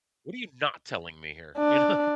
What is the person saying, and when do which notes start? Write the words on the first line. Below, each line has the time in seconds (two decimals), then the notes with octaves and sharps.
"What are you not telling me here?" You know?
1.58 D4